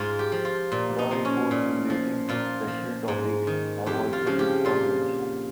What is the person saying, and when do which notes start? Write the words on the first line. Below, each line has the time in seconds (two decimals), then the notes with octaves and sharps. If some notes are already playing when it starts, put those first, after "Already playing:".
Law reports relating to special topics have also been published.
Already playing: G#2 F4
0.19 G4
0.32 F3
0.45 F4
0.72 A#2
0.99 D#4
1.11 F3
1.25 C#4
1.51 A#2
1.90 F3
2.29 A#2 F4
2.68 F3
3.08 G#2
3.47 D#3
3.86 F2 G4
4.13 F4
4.26 C#3 F3
4.39 G4
4.65 A#2 F4